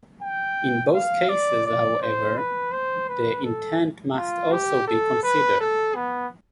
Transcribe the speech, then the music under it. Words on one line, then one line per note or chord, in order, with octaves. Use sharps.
In both cases, however, the intent must also be considered.
G5
F5
D5
D5
C5
B4
C5
B4
A4
F4
G4
A4
B4
A4
B3